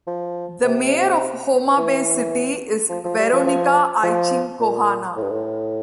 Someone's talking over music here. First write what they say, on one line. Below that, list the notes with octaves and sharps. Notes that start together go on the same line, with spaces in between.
The mayor of Homa Bay city is Veronica Achieng' Kohana.
F3
C3
E3
F3
F3
G3
F3
F3
F3
A#2
A2
G2
A2